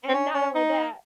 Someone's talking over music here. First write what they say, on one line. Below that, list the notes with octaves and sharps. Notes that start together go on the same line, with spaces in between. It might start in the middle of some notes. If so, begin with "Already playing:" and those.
and not only that,
C4
C#4
C#4
D#4